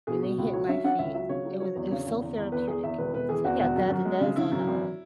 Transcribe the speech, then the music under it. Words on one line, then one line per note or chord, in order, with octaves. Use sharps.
when they hit my feet, it was it was so therapeutic, so yeah, that that is on the, um
B2 G#4
B2
C#2
F#3 C#5
C#4 E5
C#4 F#5
C#2 E5
F#3 E5
C#3 C#5
F#3
F#3 C#5
E2
C#3 C#5
E2
E2
E2
E2 B4
E2 G#4
E2 E5
E1 B4
E1 B4
E3 G#4
E2 F#4
E1 F#4
F#2
F#2
G#3
C#3
C#3 E4
F#2
G#1